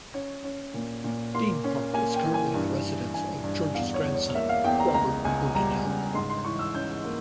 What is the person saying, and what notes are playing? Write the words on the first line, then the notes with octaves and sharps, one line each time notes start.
Deene Park is currently the residence of George's grandson Robert Brudenell.
C#4 C#5
C#4
A#2
A#2
A#3 C6
C#4
A#3 G#5
G5
E3
G#5
G2
E3
G2 G#5
G2
E2 F5
C#5
E2
C#5
A#3 E5
F5
E2 G5
A#5
C#2 A#5
C#2 G#5
G3 A#5
C#2
G#2 C6
C6
E3 C#6
E6
C#4 G6
A#3